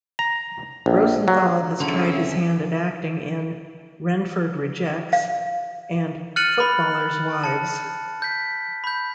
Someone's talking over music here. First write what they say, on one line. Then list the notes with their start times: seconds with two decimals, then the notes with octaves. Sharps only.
Rosenthal has tried his hand at acting in "Renford Rejects" and "Footballers' Wives".
0.19 A#5
0.86 A#1
1.28 F#3
1.80 C2 F2 D3 C#4 E4 G#4 C#5 E5
5.13 F5
6.36 F6 F#6 A6 C#7 D#7 F#7
6.60 B5
7.44 A5 C#7
8.22 G6 B6
8.84 B5 G6